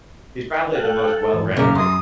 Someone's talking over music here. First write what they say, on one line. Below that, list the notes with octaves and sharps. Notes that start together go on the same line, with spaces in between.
He's probably the most well-rounded
A4 F5 G5 F#6
G#2 E3
F#2 A#2 C#3 A#3 C#5 A#5 D6 F6
F#2 A#5 C6 D#6